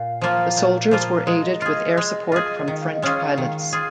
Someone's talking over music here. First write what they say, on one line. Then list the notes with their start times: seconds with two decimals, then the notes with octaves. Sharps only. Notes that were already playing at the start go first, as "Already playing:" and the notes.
The soldiers were aided with air support from French pilots.
Already playing: A#2 F5
0.21 F3 A#3 F4
0.57 A#2
0.91 F3 A#3 F4
1.27 G#3 D#5
1.62 F4 G#4
1.97 G#3
2.32 F4 G#4
2.68 D#3
2.80 F5
2.93 D#5
3.02 G#3 C#4 F4 G#4 F5
3.38 D#3
3.73 F4 G#4